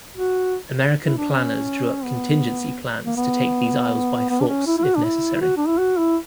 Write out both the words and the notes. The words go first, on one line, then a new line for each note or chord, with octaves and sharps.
American planners drew up contingency plans to take these isles by force if necessary.
F#4
E4
D4
C#4
B3
A#3
B3
B3
D4
C#4
E4
E4
F#4
D4
E4
E4
F#4
D4
E4
F#4
E4